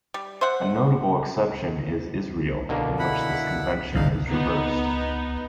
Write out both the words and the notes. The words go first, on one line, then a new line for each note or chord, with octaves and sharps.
A notable exception is Israel, in which this convention is reversed.
G3
C5 E5 F#5
B2 D3 A#3
E4 F#5 B5
G1 C2 D4 D#4 F5
B3 D#4